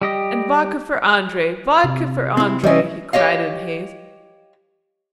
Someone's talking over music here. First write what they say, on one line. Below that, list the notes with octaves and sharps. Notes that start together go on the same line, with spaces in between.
"And vodka for Andrey, vodka for Andrey!" he cried in haste.
G3 G4 D#5
C3
C4 E4
E3 G3 C#4 D#5 E5
G4 C#5 D#5 F5